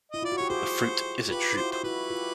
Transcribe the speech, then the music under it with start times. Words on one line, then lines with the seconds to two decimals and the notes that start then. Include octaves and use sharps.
The fruit is a drupe.
0.12 E4 D#5
0.23 F4 D5
0.32 F#4
0.37 G4 C#5
0.50 F#4 G#4 C5
1.30 F4 G4 B4
1.56 E4 F#4 C5
1.72 C5
1.84 E4 F#4 B4
2.10 F4 G4